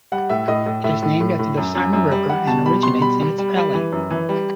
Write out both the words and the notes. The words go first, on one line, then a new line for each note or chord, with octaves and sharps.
It is named after the Sarma River and originates in its valley.
G3 F#5
A2 E5
A2 D#5
A2
A2 E5
A2
A2
A2
F#2
F#2
F#2
G3
G3 F#5
B2 A5
G3 B5
B2 C6
G3 B5
G3
G3
G3
E3
F#2
E3
G3